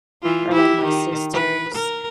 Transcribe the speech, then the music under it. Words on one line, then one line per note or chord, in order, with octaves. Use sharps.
or, like, my sisters
E3 F4
E4 G4
D#3
B4
A#4